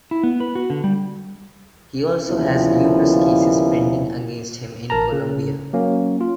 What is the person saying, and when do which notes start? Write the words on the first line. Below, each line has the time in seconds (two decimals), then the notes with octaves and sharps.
He also has numerous cases pending against him in Colombia.
0.11 E4
0.23 B3
0.40 B4
0.55 F#4
0.70 D3
0.84 G3
2.27 D#2 A#2 C#3 F3 B3 E4
4.90 A1 A#4 A5 A#5
5.12 C#3
5.73 F#3 A#3 C#4
6.21 F4